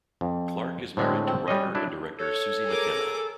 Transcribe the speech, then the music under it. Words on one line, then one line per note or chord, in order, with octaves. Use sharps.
Clarke is married to writer and director Susie McKenna.
F2
A2 D3 G#3 C4
C4
G3 C#4 D#5
F#3 D4 E4
A4 C#5
G#4 A#4 D6